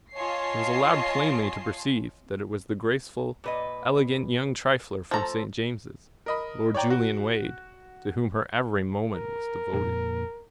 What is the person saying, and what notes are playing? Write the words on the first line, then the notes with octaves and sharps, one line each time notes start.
He was allowed plainly to perceive that it was the graceful, elegant young trifler from St. James's, Lord Julian Wade, to whom her every moment was devoted.
F4 C#5 D#5 G#5 A5 C7
A#2 B4 D#5
F3 A3 A4 A#5
A#4 D#5 B5
C#5 D5 G5 A#5
F#4
A#4
F2 A#2 A#3